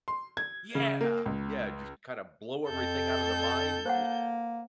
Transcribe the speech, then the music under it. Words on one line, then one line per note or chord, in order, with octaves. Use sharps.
Yeah. Yeah, just, kinda, blow everything out of the mind, and, just,
C6
G#6
C#3
A#3
C#2
F2 A4 G6
A#3 C5 C#5 F#5